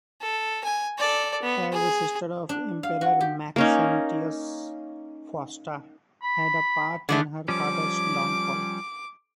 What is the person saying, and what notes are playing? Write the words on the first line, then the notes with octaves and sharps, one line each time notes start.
As the sister of Emperor Maxentius, Fausta had a part in her father's downfall.
A4
G#5
A4 D5
B3
G#4
D4
F5
F#4
G4
A#3 C#4 D#4
B5
D3 G#3 A3
F3 G3 C#4 D6